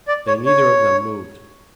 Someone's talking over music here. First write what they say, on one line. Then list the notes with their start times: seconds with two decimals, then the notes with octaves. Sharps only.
They neither of them moved.
0.08 D5
0.27 C#5
0.46 C#5